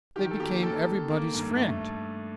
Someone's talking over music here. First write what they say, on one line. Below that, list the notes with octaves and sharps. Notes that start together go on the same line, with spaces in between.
They became everybody's friend.
D#3 G4
A4
A#3 G4
D#3 A4
D#3
A#3
G2
A3